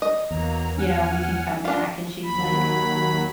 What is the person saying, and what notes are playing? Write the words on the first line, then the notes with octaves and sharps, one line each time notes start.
you know, we can come back." And she's like,
D#5
E2 F#3 A#3 A#5
F#5 G#5 F6
D4 F4
D#2 F#3 B5